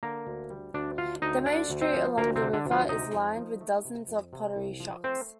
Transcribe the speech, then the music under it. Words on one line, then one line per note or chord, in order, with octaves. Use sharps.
The main street along the river is lined with dozens of pottery shops.
D3 A#3 A#4
D2
G3
D2 D4 D5
D3 F4 F5
D2 D#4 D#5
D3 D4 D5
D2
C4 C5
F3
D2 A#3 A#4
C3 C4
D3
D3 D4
D2
F3 F4
C3 D#4 D#5
F2
F3
A3
C3
F2
C3
C2
F3
A3 C4 C5